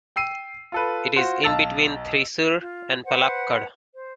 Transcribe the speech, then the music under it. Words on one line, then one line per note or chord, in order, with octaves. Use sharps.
It is in between Thrissur and Palakkad.
G5 E6 C7 D#7
F4 A4 B4
F4 F#4 C5
B1 F5 A5 E6 A6
F4
B4 C5 F#5
C5